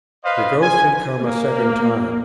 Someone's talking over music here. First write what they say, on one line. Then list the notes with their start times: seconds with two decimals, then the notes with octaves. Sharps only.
The ghost had come a second time.
0.24 B4 C5 D#5 F5
0.61 G#5
1.21 A#3